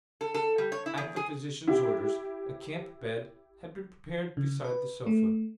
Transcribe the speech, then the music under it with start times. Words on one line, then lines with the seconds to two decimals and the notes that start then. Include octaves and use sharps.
At the physician's orders, a camp bed had been prepared beside the sofa.
0.21 A4
0.34 A4
0.58 G3
0.72 C#5
0.86 E4
0.98 E2
1.16 G#4
1.67 E4 G4
4.37 C#3
4.64 B4
5.07 A3